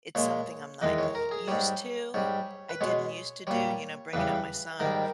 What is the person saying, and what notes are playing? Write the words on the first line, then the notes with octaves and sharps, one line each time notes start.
it's something I'm not u u used to. I didn't used to do, you know, bringing up my son
A#2 G#3 C#5
E2 D#3 G#3 D#5
C#5
A#4
G#4
G#2 G3 C#5
G#2 G3 C#5
B4
B2 G#3 C#5
A#2 G3 C#5
E2 C#3 G3 B4
G#2 D#3 G3 A#4